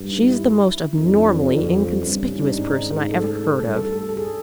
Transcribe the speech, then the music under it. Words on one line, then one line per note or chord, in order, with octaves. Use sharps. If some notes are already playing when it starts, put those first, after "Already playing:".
She's the most abnormally inconspicuous person I ever heard of.
Already playing: G2
D#4
E4
F2 D#4
D4
C4
F2
G2 C#4
C#4
D#4
D4
G#2 D#4
A4
A4
A4
A4
G2
A4
A4
A4
G#4